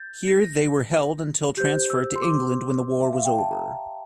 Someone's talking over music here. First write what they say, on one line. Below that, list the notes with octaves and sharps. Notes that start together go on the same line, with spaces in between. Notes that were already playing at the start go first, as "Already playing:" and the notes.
Here they were held until transferred to England when the war was over.
Already playing: G6 A6
A#6
G4 C5 G6
E6
C6
D6
E5
F5
G5
A5
A#5